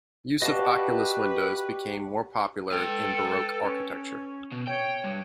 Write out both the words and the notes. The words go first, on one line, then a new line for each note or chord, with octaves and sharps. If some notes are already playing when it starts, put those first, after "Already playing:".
Use of oculus windows became more popular in Baroque architecture.
F#4 G4 B4 D5 D#5 F5 A5
A4 B4 G5
C#4
B2
C#5 G5
G2